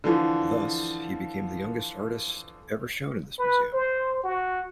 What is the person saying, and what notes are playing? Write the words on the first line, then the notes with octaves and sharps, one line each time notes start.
Thus, he became the youngest artist ever shown in this museum.
D3 E3 F3
B4
C5
F#4